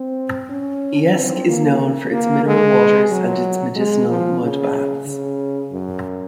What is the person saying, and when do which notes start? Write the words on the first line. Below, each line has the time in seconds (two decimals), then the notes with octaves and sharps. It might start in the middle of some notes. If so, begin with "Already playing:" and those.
Yeysk is known for its mineral waters and its medicinal mud baths.
Already playing: C4
0.50 C#4
1.15 C4
1.48 A#3
2.12 A#3
2.45 G#3
3.10 F#3
3.75 G#3
4.08 F3
4.41 C#3
5.06 C#3
5.71 F#2